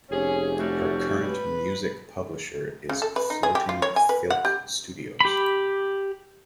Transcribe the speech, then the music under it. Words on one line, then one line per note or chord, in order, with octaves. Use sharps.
Her current music publisher is Floating Filk Studios.
F1 C#4 G4 G#4
G3 A3 C#4 F#4
B4
C#3
A4
B4
D#4
G#4
G4
F4
C#5
G#5
B4
F#5
G4
G4 B5